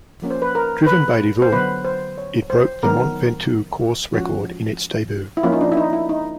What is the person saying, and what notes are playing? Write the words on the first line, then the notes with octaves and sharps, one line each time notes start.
Driven by Divo, it broke the Mont Ventoux course record in its debut.
F3 A#3 C#4
C5
B4
A#4
B4
C5
D3 F#3 B3 B4
C5
C#5
C5
D#3 F#3 B3 A#4
F3 G#3 C#4 F#4
E4
F3 A#3 C#4 F4
D#4
D4
E4
D#4
E4
D#4